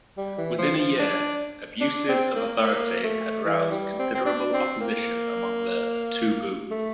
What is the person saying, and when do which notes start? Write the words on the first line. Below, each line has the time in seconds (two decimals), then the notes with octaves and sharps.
Within a year, abuses of authority had roused considerable opposition among the Toubou.
0.17 G3
0.38 E3
0.58 F3
0.78 F3
0.99 D4
1.81 D4
2.08 C4
2.35 A#3
2.63 A#3
3.04 A3
3.45 E3
3.71 G3
3.99 C4
4.15 C4
4.26 D4
4.53 C4
4.80 A#3
6.71 A3